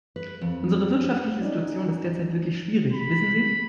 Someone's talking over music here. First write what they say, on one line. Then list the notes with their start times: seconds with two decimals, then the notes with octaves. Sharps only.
Unsere wirtschaftliche Situation ist derzeit wirklich schwierig, wissen Sie.
0.16 B4
0.41 F2
1.39 C#4 D#4 D5
2.93 B5